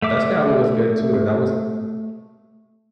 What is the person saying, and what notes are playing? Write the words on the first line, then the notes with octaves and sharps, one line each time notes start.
Jessica Alba was good too. Uh, that was
A3 E5 D6